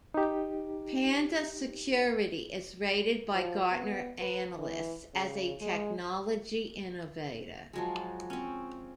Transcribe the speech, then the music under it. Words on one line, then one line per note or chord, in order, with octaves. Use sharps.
Panda Security is rated by Gartner analysts as a technology innovator.
D#4 G4
F3
B3
B4
E3
C#3
G#3
F3 F#3 G#3
C4 C#4